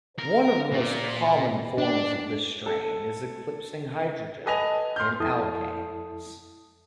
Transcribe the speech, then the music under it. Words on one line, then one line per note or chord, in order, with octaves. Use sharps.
One of the most common forms of this strain is eclipsing hydrogen, in Alkanes.
A#4
A#2
D4
A4
A4 B4 D#5 G#5 A#6 F7
C6 F6 G6
F2 E4 A4 A5 D#6